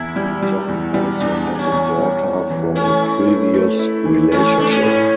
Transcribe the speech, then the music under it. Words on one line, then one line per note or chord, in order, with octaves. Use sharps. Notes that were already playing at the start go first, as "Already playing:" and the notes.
John also has a daughter from a previous relationship.
Already playing: E2 E4
G3
G3
E2
G3
E2 D4
E2
A#3
C#4
E2
G3
E2
E3
A3 C#4
E4
A3
A3
E4
E3
A3 C#4
A3 D4
C#4
A2